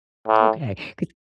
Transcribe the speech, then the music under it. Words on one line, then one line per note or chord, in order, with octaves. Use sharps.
Okay, 'cause
A2